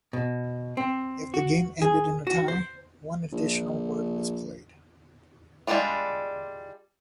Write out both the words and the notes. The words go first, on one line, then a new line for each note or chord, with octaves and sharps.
If the game ended in a tie, one additional word was played.
B2
C4
F#4
G#4
F#4
C5
A#1
G3 G#3 B3 D4 F4